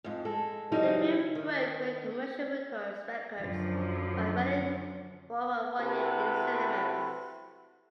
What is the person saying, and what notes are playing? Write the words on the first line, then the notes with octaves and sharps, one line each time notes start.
The film broke many commercial records by running for over one year in cinemas.
F2 G#2
G#3 A4
C#3 E3 F#3 G3 D#4
D#3
F#2 D3 F3
C3 E4 F#4 A4 B4